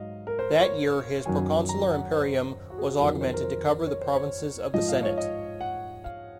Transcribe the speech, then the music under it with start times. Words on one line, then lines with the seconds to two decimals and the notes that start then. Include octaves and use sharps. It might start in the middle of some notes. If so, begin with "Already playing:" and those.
That year his proconsular imperium was augmented to cover the provinces of the Senate.
Already playing: G#2 F#3 D#5 F5
0.27 A#4
0.39 C5
0.61 C#5
1.26 F#2 D#3 F#3 G#5
1.69 A#5
1.91 F#5
2.13 C5
2.70 F#4
2.78 G#4
3.00 F2 D#3 F#3 A#4
3.21 C5
3.34 A#4
3.44 C5
3.87 C#5
4.01 C5
4.16 C#5
4.74 G#2 F3 D#5
4.88 F5
5.03 C#5
5.18 D#5
5.61 F#5
6.04 F5